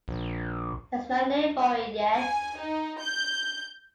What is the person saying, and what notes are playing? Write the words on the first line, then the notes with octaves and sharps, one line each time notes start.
There's no name for it yet.
A#1
G#5
D#4
G6